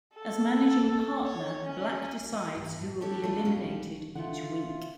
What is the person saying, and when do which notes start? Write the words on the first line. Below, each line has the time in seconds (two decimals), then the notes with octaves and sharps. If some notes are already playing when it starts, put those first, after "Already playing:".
As managing partner, Black decides who will be eliminated each week.
0.15 A4
1.25 C#5
1.65 C#4
2.32 D#4
2.55 G2
2.76 A2
3.01 D4 F#4 G4 A4 C#5
3.23 A3 D4 E4 F4
3.45 B2 F3 G#3 A3 C#4 G4
4.15 A#2 D3 F4 E5 F#5